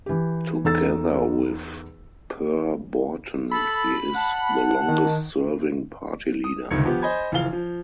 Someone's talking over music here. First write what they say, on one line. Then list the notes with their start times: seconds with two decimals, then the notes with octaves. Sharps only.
Together with Per Borten, he is the longest-serving party leader.
0.06 E3 G4
0.64 E2 D#4 A4 E6 A6
3.51 A4 B5
4.15 F#5 A5
4.88 D#3
6.44 D#6
6.71 G1 C#2 C3 D#3 G#6 C#7
6.85 F3 B3 G4
7.02 C5 D#5 G#5 B5 G#6
7.32 F#1 E3 F3 F5 G7
7.53 F3